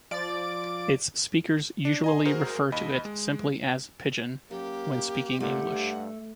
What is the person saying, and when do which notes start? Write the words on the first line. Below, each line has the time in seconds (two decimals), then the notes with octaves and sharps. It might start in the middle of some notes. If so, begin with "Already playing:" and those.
Its speakers usually refer to it simply as "pidgin" when speaking English.
0.11 F3 D5 A6 D7
1.85 D4
2.04 D#5 G#5 C6
2.25 F#4 G#4 A#4 C5
2.72 D#2 D#5 B5
3.05 G#3
4.51 F#2 A#3 G4
5.40 A#2 A3 G4 F#5
5.71 G2